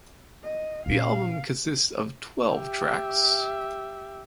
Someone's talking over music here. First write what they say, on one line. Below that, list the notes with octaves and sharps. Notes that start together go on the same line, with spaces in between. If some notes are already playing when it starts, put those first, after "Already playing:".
The album consists of twelve tracks.
D#5
A#2 C#4 F5
G4 E5